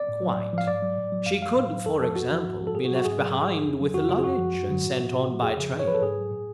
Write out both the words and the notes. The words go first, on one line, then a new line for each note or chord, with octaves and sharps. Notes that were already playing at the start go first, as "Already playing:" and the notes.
Quite. She could--for example--be left behind with the luggage and sent on by train.
Already playing: D5
A2
F#3
A2
F3 F5
G#2 D5
F#3
A2
F#3
F#2 F5
F3 F5
A2
F#3
F2 A4
F3 A4
F2 F#4
F3
G#2
F3
A4
A2 G#4
F#4
F#3
F#4
G#2 G#4
F#3
G#2
F3
F2
C#3 F#3
F2 F#4
C#3 F#3 F4
G#4
F#2 F#4
F3
F#2
D3 F#3
A2
F3
A2
F3
F2 G#4
C#3 F3
G#2
C#5
F3 B4
A4
G#2 G#4
F#3
A2